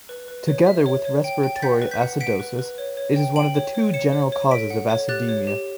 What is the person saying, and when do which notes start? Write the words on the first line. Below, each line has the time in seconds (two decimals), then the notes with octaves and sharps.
Together with respiratory acidosis, it is one of the two general causes of acidemia.
0.09 B4
0.28 B4
0.48 C#5
0.67 E5
0.86 C#5
1.05 C#5
1.24 G5
1.43 G5
1.56 A6
1.62 F#5 G6 B6
1.82 B4
1.91 G6 B6
2.01 F#5
2.20 F#5 B6 D7
2.40 B4
2.59 B4
2.78 C#5
2.97 C#5
3.16 G5
3.36 G5 D7 F#7
3.55 C#5
3.75 C#5
3.93 C#5 C#7 E7
4.13 C#5
4.32 C#5
4.51 A4 B6 D7
4.70 F#5
4.90 C#5
5.09 G4 F#6 A6
5.29 C#5
5.47 G4